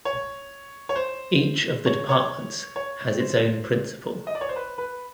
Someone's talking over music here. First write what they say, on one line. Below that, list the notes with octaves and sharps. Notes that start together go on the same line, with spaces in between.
Each of the departments has its own Principal.
C#5
C#5
C5
C#5
C#5
C#5
C5
D#5
D5
C#5
C5
B4
B4